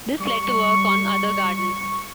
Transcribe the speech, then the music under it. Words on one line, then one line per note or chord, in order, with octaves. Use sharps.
This led to work on other gardens.
G3 C#6